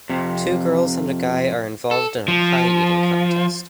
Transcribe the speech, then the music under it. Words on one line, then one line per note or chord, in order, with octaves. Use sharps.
Two girls and a guy are involved in a pie eating contest.
F2 C3
A4
F3